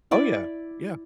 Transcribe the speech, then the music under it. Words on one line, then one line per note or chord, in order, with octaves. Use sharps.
Oh, yeah. Yeah.
E4 D5